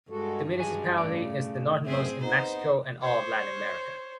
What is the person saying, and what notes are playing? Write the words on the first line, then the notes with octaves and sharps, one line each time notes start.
The municipality is the northernmost in Mexico and all of Latin America.
G2 G#3 F#4 A4
F#2 G#3 F#4 G#5
A2 C#3 A3 D5
F#2 B2 C4 G#4 C5 E5
B3 D#4 C5
C5 C#5